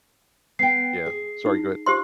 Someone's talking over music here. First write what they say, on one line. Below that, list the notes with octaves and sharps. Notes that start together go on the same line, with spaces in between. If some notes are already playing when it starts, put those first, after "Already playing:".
yeah, sorry, go ahead.
B3 G5 C7
G#4
D#4
G4 C5 C6